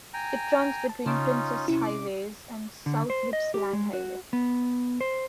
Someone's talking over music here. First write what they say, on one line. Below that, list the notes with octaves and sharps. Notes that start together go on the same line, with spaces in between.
It runs between Princes Highway and South Gippsland Highway.
G5 G#5 A#5
A5
C#3 C#4 D#4 F4
C3 C#4 E4
D6
D3
C5
D#5
G4
G#3
F#4
B3
C5